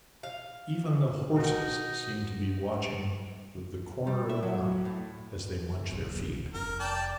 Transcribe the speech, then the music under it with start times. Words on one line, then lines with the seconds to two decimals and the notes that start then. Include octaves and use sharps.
Even the horses seem to be watching with the corner of an eye as they munch their feed.
0.23 F5
1.36 B2 D#4
4.07 G3
4.29 E5
4.43 F#3
4.85 A2
5.89 D1 B1 A#2
6.54 F1 A#4
6.80 D5 G5 A5